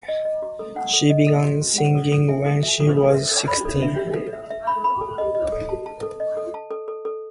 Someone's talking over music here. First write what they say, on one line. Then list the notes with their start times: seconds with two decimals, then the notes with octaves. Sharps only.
She began singing when she was sixteen.
0.08 D#5
0.25 D#5
0.42 F#4
0.59 A4
0.76 F#5
0.93 A4
1.10 D#5
1.27 A4
1.44 F#4
1.61 F#4
1.78 F#5
1.95 A4
2.12 A4
2.29 E5
2.46 A4
2.63 E5
2.80 A4
2.97 A4
3.14 E5
3.31 A4
3.48 B5
3.65 A4
3.82 E5
3.99 E5
4.16 A4
4.33 E5
4.50 E5
4.67 B5
4.84 B5
5.01 A4
5.18 D#5
5.35 D#5
5.52 A4
5.69 A5
5.86 A5
6.03 A4
6.20 D#5
6.37 A4
6.54 A5
6.71 A4
6.88 A4
7.05 A4